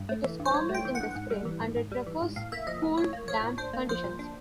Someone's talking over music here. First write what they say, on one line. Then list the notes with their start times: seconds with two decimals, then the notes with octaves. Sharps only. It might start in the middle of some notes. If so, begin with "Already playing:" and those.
It is common in the spring, and it prefers cool, damp conditions.
Already playing: G2
0.09 A3
0.24 E3
0.40 G2
0.45 C5
0.54 G2 C#5
0.69 A3
0.74 G5
0.85 E3
0.95 F#5
1.01 G2
1.15 G#2
1.30 G3
1.45 E3
1.60 G#2
1.77 G#2
1.92 G3
2.07 E3
2.22 G#2
2.36 A2 F5
2.52 A#3 E5
2.67 F3 D#5
2.82 A2
2.98 A2 C#5
3.13 A#3
3.28 F3 C#5
3.43 A2
3.58 D4 C5
3.73 A#3
3.89 F3 C5
4.04 A#2
4.19 D4